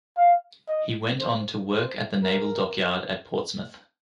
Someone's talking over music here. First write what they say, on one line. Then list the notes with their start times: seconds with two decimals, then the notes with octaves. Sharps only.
He went on to work at the Naval Dockyard at Portsmouth.
0.17 F5
0.69 D#5
1.20 C5
1.72 C5
2.23 A#4